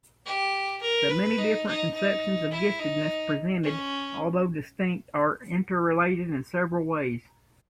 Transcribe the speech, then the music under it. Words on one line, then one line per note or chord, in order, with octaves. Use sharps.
The many different conceptions of giftedness presented, although distinct, are interrelated in several ways.
G4
A#4
B4
D#4
D#4
D#4
E4
D#4
C#4